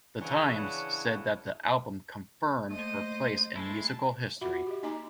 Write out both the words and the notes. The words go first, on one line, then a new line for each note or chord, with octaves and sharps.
"The Times" said that the album "confirmed her place in musical history".
C#3 E3 D4 C#5 F#5
A3 A#3 C5 D#5 D#7
G#3 A3 E4 A5
F4 F#4 E5 F#5 B5 D6
G4 D#5
A#3 D#4 D#5 G#5 A#5 D6